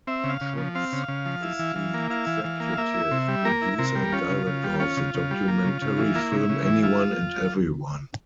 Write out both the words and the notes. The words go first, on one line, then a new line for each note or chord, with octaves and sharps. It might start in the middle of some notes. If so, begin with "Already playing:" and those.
Schutz is the executive producer and director of the documentary film Anyone and Everyone.
C4 E5
C#3
F5
C#3
F3
C4 F5
C#3
C#3
F3
E4
E3
E3
A#3
E4 F5
E3
E3
A#3
A#3 E5
E4
C3
G3
A#3 A#4
E4
C3 A#4
G3
C#4 F4
C#3
C#3
G3
C#4 F4
C#3
C#3
G3
A#3
C#3
C#3
E3
A#3 E4
C#3
C#3
E3
E4 F4